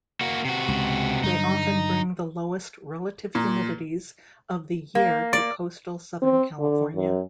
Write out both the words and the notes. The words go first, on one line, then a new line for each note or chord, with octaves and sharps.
They often bring the lowest relative humidities of the year to coastal Southern California.
A#3 F#4
C3 F#4
C#2
G2 D3 F#3 D#4
A#2
A#3
D5
C4
D3
F#2